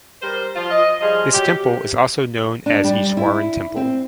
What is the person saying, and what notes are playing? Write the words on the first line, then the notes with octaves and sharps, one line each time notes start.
This temple is also known Easwaran Temple.
G3 A#4 C5
F3 F4
D#5
F3 G3 F4 G#4 D#5
F#3 G4
C3
D4
G3
E4
C4